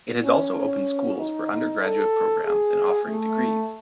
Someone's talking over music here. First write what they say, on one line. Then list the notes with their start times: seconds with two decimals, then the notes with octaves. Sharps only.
It has also opened schools for under graduate programs and offering degrees.
0.24 C#4
0.55 C#4
1.18 D#4
1.81 A4
2.44 G#4
3.06 A3